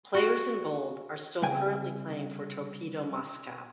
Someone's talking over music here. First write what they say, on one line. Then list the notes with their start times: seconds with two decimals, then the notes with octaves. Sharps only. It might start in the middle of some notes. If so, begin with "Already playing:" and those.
Players in bold are still currently playing for Torpedo Moscow.
0.15 F#4
1.42 C2 C#3 G5 G#5